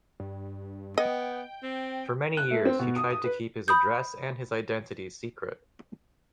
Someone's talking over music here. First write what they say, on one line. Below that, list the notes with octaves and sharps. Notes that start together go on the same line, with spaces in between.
For many years he tried to keep his address and his identity secret.
G2
B3 D#5 G5
C4
F#6
A3
C4
B2
D#6
D#6
B4
B5 D#6 G6